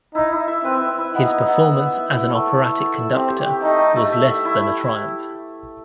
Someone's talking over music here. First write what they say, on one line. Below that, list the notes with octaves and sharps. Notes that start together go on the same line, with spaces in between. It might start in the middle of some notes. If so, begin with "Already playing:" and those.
His performance as an operatic conductor was less than a triumph.
D#4 E4
E4
E5
C4 B4
E5
E4
B3 D#4
E5
B3
B3
E5
E5
E4
A3
A4
A3
E5
E5
C4 G4
G4
G4
A3 D#4
A3
A3
E5
E5
E4